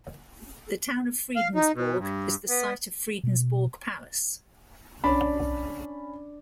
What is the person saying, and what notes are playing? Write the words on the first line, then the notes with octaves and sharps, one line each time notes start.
The town of Fredensborg is the site of Fredensborg Palace.
F5
D#4
B2
G2
B3
B2
C#4 D4 B5